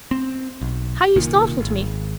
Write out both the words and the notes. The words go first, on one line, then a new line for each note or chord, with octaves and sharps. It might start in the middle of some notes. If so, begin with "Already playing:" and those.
How you startled me!
C4
B1
C2 A#2 D#3
G#1